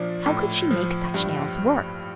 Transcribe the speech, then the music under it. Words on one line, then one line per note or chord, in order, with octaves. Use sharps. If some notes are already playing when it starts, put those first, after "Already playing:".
How could she make such nails work?
Already playing: A#2 F3 D4
A2
F3
G2